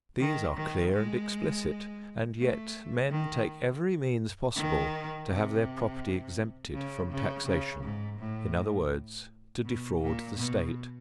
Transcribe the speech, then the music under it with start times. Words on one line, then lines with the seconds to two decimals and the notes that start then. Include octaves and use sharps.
These are clear and explicit, and yet men take every means possible to have their property exempted from taxation--in other words, to defraud the State.
0.20 D#3
0.57 D#3
0.93 G#3
2.38 A3
3.11 D#3
4.56 D#3
5.29 C3
6.74 C#3
7.11 C#3
7.47 C#3
7.84 G#2
8.20 A2
9.65 B2
10.02 A#2
10.38 B2